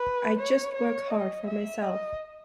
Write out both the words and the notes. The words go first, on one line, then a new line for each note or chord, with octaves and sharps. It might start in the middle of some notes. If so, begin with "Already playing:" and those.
I just work hard for myself.
Already playing: B4
C#5
C#5
D#5
E5
D#5